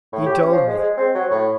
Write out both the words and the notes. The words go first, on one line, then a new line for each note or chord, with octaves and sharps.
He told me.
A2
G4
C#4
F3
G#3
G#3
C4
F#3
A2